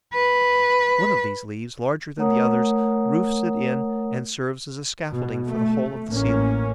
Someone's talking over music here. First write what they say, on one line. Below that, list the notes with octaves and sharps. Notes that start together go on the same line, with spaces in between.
One of these leaves, larger than the others, roofs it in and serves as a scaffolding for the whole of the ceiling.
B4
A3 A#4 C#5 F#5 A#5 D#6
B2
A3
A1 A#3 C#4